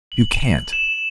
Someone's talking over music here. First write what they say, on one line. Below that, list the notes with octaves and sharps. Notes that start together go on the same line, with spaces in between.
You can't.
F#7
E7